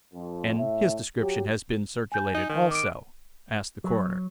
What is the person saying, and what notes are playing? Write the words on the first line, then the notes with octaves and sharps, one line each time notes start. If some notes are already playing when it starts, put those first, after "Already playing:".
"And his description has been circulated also?" asked the coroner.
F2
A2 E5
F#3 G4
G#5 G6
D#4
D#3
D6 D7
F#3